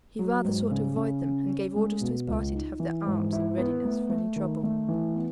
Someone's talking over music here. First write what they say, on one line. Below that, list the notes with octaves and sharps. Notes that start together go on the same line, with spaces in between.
He rather sought to avoid them, and gave orders to his party to have their arms in readiness for any trouble.
F#3
G#2
C#3
C#3
C#4
C#4
G#3
B2
C#2
D#4
E3
G#2
E4
B3
A3
A3
D#3
A3
E3
B3